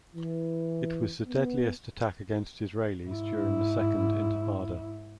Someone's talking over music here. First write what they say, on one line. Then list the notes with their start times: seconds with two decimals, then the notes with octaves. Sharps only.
It was the deadliest attack against Israelis during the Second Intifada.
0.15 E3
1.26 B3
3.07 G#2 E4